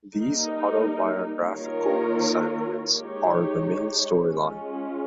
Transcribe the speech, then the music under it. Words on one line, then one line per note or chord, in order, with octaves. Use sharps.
These auto-biographical segments are the main storyline.
G3 A#3 D#4 A#4
D#3 A#3 F4 A#4 C#5
G#3 D#4 G4 C#5
G#3 C#4 F4